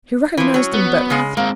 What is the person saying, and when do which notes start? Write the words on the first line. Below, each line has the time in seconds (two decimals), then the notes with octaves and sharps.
He recognised them both.
0.37 E3 F3
0.54 F#3 C#4
0.74 B3
1.10 C#3 G#3
1.37 G#3 A#3 C4